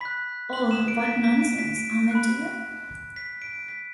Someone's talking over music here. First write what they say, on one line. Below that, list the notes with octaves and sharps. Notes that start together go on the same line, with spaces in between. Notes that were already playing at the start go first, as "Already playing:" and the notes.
Oh, what nonsense, Ahmed dear!
B5 F#6 B6
F#7
E7
D7
B6
B6
D7
B6
D7
D7
B5 F#6
B6
D7
B6